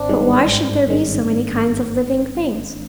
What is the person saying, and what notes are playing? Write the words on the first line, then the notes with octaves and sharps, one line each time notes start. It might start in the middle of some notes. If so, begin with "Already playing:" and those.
But why should there be so many kinds of living things?
Already playing: G#1 C4 D4
G2 D#3 G#3
G#1
G2 D#3 G#3
G#1